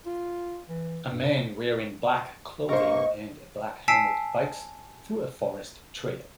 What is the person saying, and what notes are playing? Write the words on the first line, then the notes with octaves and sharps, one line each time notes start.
A man wearing black clothing and a black helmet bikes through a forest trail.
F4
E3
G2
G2 A#3 A#4 C5 D#5 C#6
G#5 A5 E6 B6 C7 D7